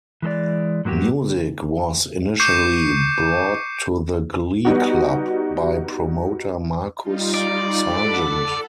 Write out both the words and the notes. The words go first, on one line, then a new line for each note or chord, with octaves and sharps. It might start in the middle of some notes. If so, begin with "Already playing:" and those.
Music was initially brought to the Glee Club by promoter Markus Sargeant.
E3 G#3 A4 D5
G#2 F#3 A#3 F#4 G4
C#6 D6 G6 C7 C#7 E7
G3 B3 D#4 F#4
G3 D#4 F4
D5
A4 F#5 B5
A4